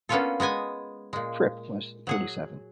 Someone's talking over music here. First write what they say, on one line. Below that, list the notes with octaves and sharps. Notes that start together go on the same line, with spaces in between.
Fripp was thirty-seven.
A#3 B3 C#4 D4 F4 A4
G#3 B3 D#5 G#5
A#2 G#3
F#3 G#4 F#5